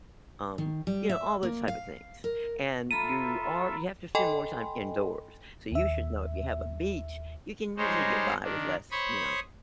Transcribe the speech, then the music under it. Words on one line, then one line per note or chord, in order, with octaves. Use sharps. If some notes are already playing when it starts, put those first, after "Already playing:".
um, you know, all those type of things, and you are you have to spend more time indoors. So you should know if you have a beach, you can usually get by with less, you know
D#3
G3
E5
A#3
F5
A#4
F4 A4 E5 A#5 B5 D#7
A4 D#5 G5 G#5 B5 C6
D#2 E5
G3 G#3 D#4 C5 C#5
D#3 D4
C5 C#5 B5 C#6 D#6